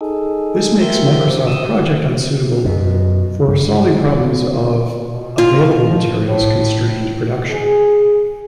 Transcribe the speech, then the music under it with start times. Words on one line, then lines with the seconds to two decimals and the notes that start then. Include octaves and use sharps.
This makes Microsoft Project unsuitable for solving problems of available materials constrained production.
0.01 D#4 G#4 A4
0.81 F3 G4 A#4 C5 E5 G6
1.47 D#6 E6
2.65 F#2 B2
3.48 G2 D3
5.11 B2
5.38 F4
5.89 F3
6.27 A2
7.49 G#4